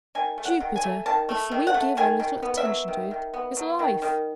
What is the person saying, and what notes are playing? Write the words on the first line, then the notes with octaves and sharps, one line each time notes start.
Jupiter, if we give a little attention to it, is life.
D#3 G#5
A3
F#5
D#3
G#5
A3
D#3 A5
A3
D#3
F#5
A3
D#3 G#5
D#3
B3
E5
F#3
D#3
D#3
B3
F#3
D#3
D#3